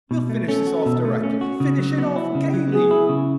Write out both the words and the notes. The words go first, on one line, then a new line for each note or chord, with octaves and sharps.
We'll finish this off directly, finish it off gayly.
B2
A3
C#4 A4
F#4
B2
A3
C#4
F#4
C#3
F#3
B3
E4
C#3
F#3
B3 G#4
E4
C#3